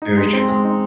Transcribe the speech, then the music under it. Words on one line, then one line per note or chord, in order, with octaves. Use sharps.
Very true.
D#4
G#3
C4
G#3
D#4